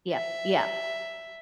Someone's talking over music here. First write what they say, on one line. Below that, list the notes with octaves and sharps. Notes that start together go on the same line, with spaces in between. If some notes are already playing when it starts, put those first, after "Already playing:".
Yep, yep.
E5